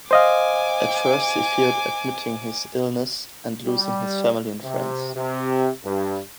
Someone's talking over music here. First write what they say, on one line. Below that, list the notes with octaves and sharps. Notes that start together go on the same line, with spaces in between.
At first he feared admitting his illness and losing his family and friends.
C5 D#5 F5 G#5 D6
G3
C3
C3
G2